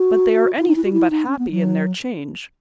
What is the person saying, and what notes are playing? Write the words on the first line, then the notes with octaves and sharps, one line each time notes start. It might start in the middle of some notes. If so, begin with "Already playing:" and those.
But they are anything but happy in their change.
Already playing: F#4
E4
D#4
E4
F#4
E4
D#4
C#4
B3
F#3